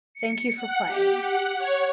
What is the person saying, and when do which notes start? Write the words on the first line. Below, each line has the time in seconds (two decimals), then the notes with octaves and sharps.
Thank you for playing.
0.14 C#7
0.56 F#5
0.87 G4
1.22 F#5
1.58 C#5